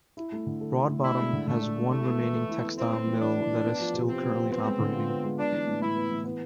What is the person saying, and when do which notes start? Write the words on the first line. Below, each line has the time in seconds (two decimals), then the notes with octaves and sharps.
Broadbottom has one remaining textile mill that is still currently operating.
0.17 E4
0.32 A3
0.46 D3
0.61 A4
0.75 E4
0.89 A3
1.04 D4 E4
1.19 G#3
1.33 D3
1.47 D3 A3
1.62 D4
1.76 G#3
1.90 A3 E4
2.05 B3
2.20 E3
2.34 A4
2.49 E4
2.63 B3
2.78 C4 E4
2.92 A3
3.07 E3
3.21 E3 D4
3.36 E4
3.50 A3
3.65 B3
3.79 F3
3.93 C3
4.08 C3 C4
4.22 B3
4.37 F3
4.51 B3 C4
4.66 G#3
4.80 D3
4.94 F4
5.09 B3
5.24 G#3
5.38 B3 D4
5.52 E3
5.67 A2
5.81 A2 E4
5.96 B3
6.10 E3
6.25 B3